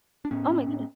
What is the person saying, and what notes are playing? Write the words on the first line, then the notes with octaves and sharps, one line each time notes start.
Oh my goodness.
D4
A2 B3 C#4
A2
A2